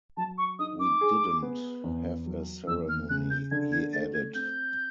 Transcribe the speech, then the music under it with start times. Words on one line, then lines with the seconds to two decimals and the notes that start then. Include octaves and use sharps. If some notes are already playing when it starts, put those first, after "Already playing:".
"We didn't have a ceremony," he added.
0.17 F#3 A5
0.38 C#6
0.59 D#4 D#6
0.80 D6
1.01 G#4
1.42 B3
1.84 E2
2.26 F#3
2.67 E2 E6
2.89 F6
3.09 C#3 F#6
3.30 G6
3.51 D3 G#6
3.72 G#6
3.93 A3 A6
4.14 G#6
4.35 C4 G6